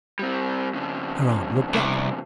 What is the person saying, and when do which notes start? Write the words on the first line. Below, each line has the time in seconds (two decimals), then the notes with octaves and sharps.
Her aunt looked up.
0.19 G3 C4
0.74 F2 C#3
1.73 C2